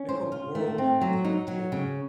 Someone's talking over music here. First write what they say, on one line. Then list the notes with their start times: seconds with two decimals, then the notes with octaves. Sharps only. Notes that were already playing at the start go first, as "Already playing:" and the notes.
Make a whirlwind of the idea.
Already playing: C#4
0.09 C5
0.32 F4
0.55 A3
0.78 C4
1.01 F#3
1.25 D#4
1.48 F#3
1.72 C#3